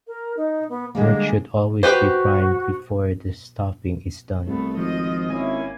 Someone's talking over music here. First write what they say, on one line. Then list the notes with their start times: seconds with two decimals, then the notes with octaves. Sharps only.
Work should always be primed before the stopping is done.
0.07 A#4
0.37 D#4
0.69 B3
0.95 D3 G3 G#3 A#3
1.83 F#4 G4 B4 C5
4.46 C2 A3 B3
4.77 G#1 F3 D#5
5.30 A#3 C#4 E4 G#5